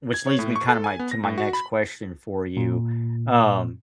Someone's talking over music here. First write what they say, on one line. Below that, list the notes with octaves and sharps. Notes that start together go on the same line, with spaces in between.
which leads me kinda my to my next question for you, um
G#6
C#5
A2
C#6
A4
G#5
B3
A#6
A2
F#4
B5
A#2